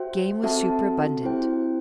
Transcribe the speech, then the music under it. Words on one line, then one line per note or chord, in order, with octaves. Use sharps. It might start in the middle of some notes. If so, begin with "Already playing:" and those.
Game was superabundant.
Already playing: F#4 C5 E5 G5
C4 F#4 A4 E5 A5
C4 E4 G4 C5 G5